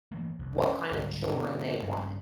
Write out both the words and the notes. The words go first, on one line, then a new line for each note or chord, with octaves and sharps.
what kind of children they wanted.
E3 A3 A#3
F1 C2
C#4
C#2 G#2 D3 G3
B2 D3
G2 C#3